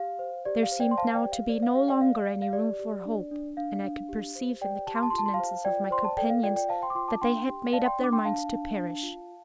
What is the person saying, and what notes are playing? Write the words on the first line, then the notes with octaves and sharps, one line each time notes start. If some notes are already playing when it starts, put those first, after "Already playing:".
There seemed now to be no longer any room for hope, and I could perceive in the countenances of my companions that they had made up their minds to perish.
Already playing: G4 F5
C5
G4 D5
F5
C5
D5 G5
C6
C5 F5 A5
D5 G5
G4
F5
C5 D5
F5
G4 F5
D5 G5
D5 F5
D5
F5
G4 D5
G4
D4
D4
D4 F5
D4
G4
C5
G4 D5 G5
G4 A5
C6
A5
F4 C6
A5
C6
F5 A5
C5
F4 D5 G5
C5 C6
A5
A4 D5 G5
F5
F4 D5 G5
D5 G5
C5 F5 A5
G5 C6
D6
F4 G5 C6
A5 D6
D4 G5 C6
G4
D5 F5 A5
G5 C6
D4 D6
G5 C6
D4 F5 A5
D4
D4
F4